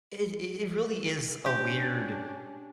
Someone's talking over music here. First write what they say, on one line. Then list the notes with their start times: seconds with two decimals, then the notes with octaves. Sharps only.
it i it really is a weird
1.46 C#4 D4 G4